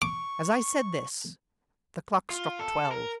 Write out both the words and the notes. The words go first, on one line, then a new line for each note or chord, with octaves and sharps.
As I said this, the clock struck twelve.
C#6 D6
F4
A4
A#4